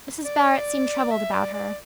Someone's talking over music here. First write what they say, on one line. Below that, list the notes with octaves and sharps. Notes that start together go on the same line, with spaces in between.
Mrs. Barrett seemed troubled about her.
D5
E5
D5
D5